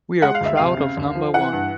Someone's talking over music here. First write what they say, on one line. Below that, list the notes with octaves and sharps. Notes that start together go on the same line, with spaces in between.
We're proud of number one.
G#3 F#5
F5
D2 E5
C3 F5
C#3
D#2
F3
E3 F#5
G2